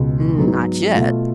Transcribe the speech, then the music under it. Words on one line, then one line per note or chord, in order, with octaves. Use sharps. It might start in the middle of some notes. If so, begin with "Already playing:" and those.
"Not yet."
Already playing: C#2 B2 G#3
G#2 F#3 B3
B2 A3 F4